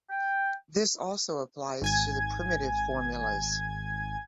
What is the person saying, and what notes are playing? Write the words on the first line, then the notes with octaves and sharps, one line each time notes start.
This also applies to the primitive formulas.
G5
G#1 G#5 G#6